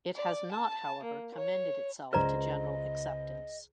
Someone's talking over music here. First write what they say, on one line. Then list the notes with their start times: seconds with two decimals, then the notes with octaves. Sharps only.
It has not, however, commended itself to general acceptance.
0.15 D5
0.52 A5
1.04 A#3
1.35 C#5
2.13 C#2 B4 C5 D5 D#5 A#5